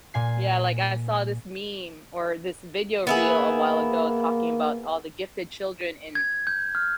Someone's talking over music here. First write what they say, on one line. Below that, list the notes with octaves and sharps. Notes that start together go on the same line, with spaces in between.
yeah, like, I saw this meme or this video reel a while ago, talking about all the gifted children in
A#2 G#5 C7
A#3 B3 E4 G#4
G#6
G6
F6